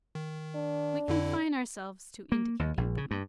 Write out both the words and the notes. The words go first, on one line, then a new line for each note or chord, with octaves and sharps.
We confine ourselves to indicating them.
D#3
D4
F2 D3 E4
A#3
D#2
A#1
C#3
G2